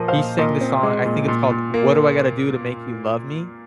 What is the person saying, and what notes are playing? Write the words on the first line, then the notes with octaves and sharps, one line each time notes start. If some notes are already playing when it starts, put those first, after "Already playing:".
he sang the song I think it's called, "What Do I Gotta Do To Make You Love Me?"
Already playing: A#2 F3 A#3 A#4 D#5
C5 F5
A#2
A#2 A#4 D#5
C4
G#3
A#2
A#2
A#2
A#3